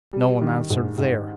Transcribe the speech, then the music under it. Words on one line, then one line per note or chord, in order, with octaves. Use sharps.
No one answered there.
G3
D#3
G#2
G#2